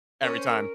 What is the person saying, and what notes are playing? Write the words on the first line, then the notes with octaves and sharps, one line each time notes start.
every time.
C#4 A#4
C5
A#4